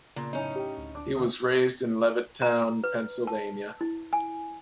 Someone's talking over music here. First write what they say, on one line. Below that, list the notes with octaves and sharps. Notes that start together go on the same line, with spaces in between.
He was raised in Levittown, Pennsylvania.
A#2 C#3
F#2 A2 C#4 D#4
G4 G5
D2
D4 D6
D2 B2 C4 D#6
A#5
B4
A5
E4
G#5